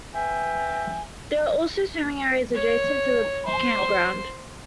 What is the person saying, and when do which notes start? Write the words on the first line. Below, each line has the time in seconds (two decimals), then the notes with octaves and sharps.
There are also swimming areas adjacent to the campground.
0.14 B4 E5 G5 G#5
2.55 C#5
3.47 C5